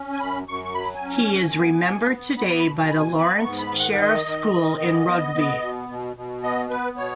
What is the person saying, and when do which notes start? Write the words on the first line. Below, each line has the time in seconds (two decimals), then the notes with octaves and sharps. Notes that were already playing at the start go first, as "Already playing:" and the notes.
He is remembered today by the Lawrence Sheriff School in Rugby.
Already playing: C#4
0.13 G#5
0.20 F#2 B5
0.48 F#2 C#6
0.65 C#6
0.74 F#3 B5
0.95 G#5
1.02 C#4
1.15 G#5
1.28 F#2
1.36 G#5
1.56 B3
1.83 B2
2.10 B3
2.37 B3 B5
2.57 B5
2.64 B2
2.78 G#5
2.90 B2 B5
2.98 G#5
3.18 B3 B5
3.38 C#6
3.45 G#2
3.59 B5
3.72 D#3
3.79 F#5
3.94 F#5
3.99 D#3 D#5
4.26 D#3
4.53 D#3
4.81 B3
5.08 B3
5.35 B3
5.62 B2
5.89 B2
6.16 B2
6.43 B3 D#5
6.70 B3 B4
6.97 B2 C#5